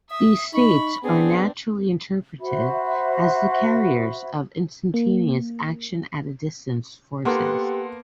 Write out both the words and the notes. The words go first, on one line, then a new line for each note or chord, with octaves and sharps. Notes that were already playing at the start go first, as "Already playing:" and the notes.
These states are naturally interpreted as the carriers of instantaneous action-at-a-distance forces.
E5 D#6
D#4 B5 C#6
B3 C4 D4 G#4
F#4 C5 E5 B5
A#3
A#3 B3 G4 A4 B4 F#5 C6